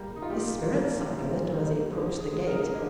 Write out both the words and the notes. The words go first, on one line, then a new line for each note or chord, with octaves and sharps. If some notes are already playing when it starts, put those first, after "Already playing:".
His spirits sank a little as he approached the gate.
Already playing: G3 A#3
D#4
F4
A#2 G4
G3 A#3
A#2
G3 A#3
D3 G#4
G#4
G#3
A#4
G#4
A#4
D3 D#5